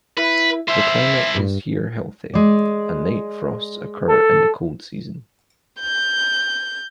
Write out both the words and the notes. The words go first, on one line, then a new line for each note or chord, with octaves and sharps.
The climate is here healthy, and night frosts occur in the cold season.
E4 B4
E4 C5 E5
G2
G#3 D5
A4
G6